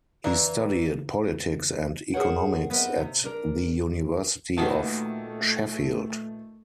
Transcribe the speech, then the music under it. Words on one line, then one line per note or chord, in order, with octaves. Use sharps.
He studied politics and economics at the University of Sheffield.
E3 D5 F5 A#5
G#4 A#4 C5 C#5 F#5
B3 C4 A#4 D#5 E5
C3
D4 A#4
A#2 D#3 E3 A3 F#4 A5